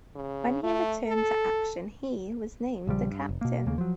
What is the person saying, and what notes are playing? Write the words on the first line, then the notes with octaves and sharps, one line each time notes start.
When he returned to action he was named the captain.
C#3
A3
A4
A#1 C#3 F3 G3
G2
F1
B2 A#3
D#2 C#3 A#3
F3 F#3